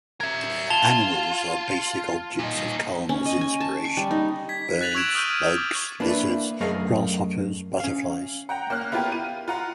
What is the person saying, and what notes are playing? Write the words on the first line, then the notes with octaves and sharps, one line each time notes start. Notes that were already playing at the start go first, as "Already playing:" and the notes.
Animals are basic objects of Kalmar's inspiration: birds, bugs, lizards, grasshoppers, butterflies.
A#4 E5 G#6
F4 A5 F7 G7
A#2 D#4
C#4
D#5
G#5
A5
C#6
G3
D#4
G#6 B6
F#6 G#6 A6 B6 F7 F#7
C#6 E6 G#6 D7 E7 F#7
D#6 F6 G6 D#7
D6
A#3 D4 E4 B4
F#2 A3 G#4 A#4 D#5 F5
C#4 F5
F#5 G5 A#5
A#3 C#4 F6 F#6
B3 E4 F4 G4 A#4
D#7
F4 F#5 A#5